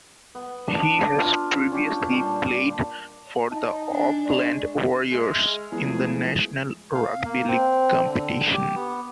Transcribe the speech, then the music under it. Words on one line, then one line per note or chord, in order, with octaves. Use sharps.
He has previously played for the Auckland Warriors in the National Rugby League competition.
B3
D4
F4
C#4 D4 G4
A#2 G3 A5 C6
D#4 A5
D4 G#5
G#3 D5 C#6
G#3 E5 F6
E2 F3 G#3 A3 G#4
F5
A#3
C4
D3
G4
B3